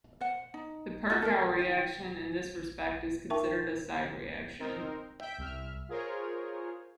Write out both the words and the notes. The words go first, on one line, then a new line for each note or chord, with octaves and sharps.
The Perkow reaction, in this respect is considered a side-reaction.
C5 F#5
D#4
D#4 F4 F#4
A4 A#4
E4 G5
D#4 A#4 E5 G5 A5 C#6
C4 D#4 A#4 C5
E5 G5 G6 B6 D7
C2 E5 F6
F4 G#4 A#4 C5 C#5